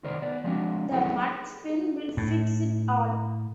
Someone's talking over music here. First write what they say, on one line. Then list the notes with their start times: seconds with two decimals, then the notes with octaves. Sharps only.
The Rudd spin will fix it all.
0.04 C2 D#3 A#4 C5 D5
0.22 B3 D5
0.44 F3 G#3 C4 D4 F#4
0.91 D#2 F#3 E4 G#4 A4 F#5
2.17 A2